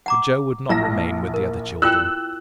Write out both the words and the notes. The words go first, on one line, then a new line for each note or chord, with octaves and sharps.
But Joe would not remain with the other children.
F#5 A#5 D6
A#1 E4 A5 A#5 A#6
A#4
E4 F4 G5 E6 F#6